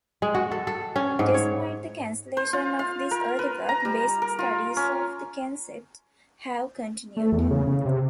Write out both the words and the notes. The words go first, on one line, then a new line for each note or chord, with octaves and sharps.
Despite the cancellation of this early work, basic studies of the concept have continued.
G#3
F#4
A4
A4
C#4
G#2
C#5
C5
F4
F5
A#4
B4
A#5
G3
A#4
F4
C#4
A3
E2
C#3
C#3
C3